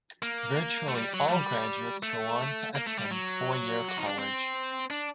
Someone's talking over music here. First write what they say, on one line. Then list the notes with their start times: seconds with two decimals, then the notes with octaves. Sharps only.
Virtually all graduates go on to attend four-year college.
0.22 A#3
0.88 A3
0.95 G3
1.13 F#3
1.27 A3
1.30 G3
2.03 A3
2.75 A#3
2.87 A3
2.98 G3
3.11 F#3
3.88 F#4
3.98 D#4
4.08 D4
4.19 C4
4.90 D4